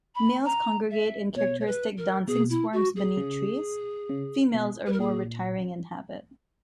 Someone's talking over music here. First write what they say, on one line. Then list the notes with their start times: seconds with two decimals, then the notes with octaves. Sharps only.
Males congregate in characteristic dancing swarms beneath trees; females are more retiring in habit.
0.15 B5
0.45 A#5
0.90 E5
1.36 B2 C#5
1.60 C#5
1.66 B4
1.97 A#4
2.27 B2 G#4
2.49 E4
2.72 F#4
2.95 G#4
3.17 C#3
4.09 C#3
4.54 B2
4.86 B4
4.92 A#4
4.99 A#2 G#4